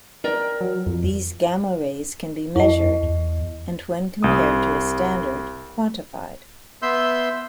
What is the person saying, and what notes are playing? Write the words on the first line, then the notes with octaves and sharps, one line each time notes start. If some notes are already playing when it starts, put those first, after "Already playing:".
These gamma rays can be measured, and when compared to a standard, quantified.
A#4 D5 G5
F#3
F2
F2 E4 D#5
E2
C2 D#6
B3 E5 C6 E6 G6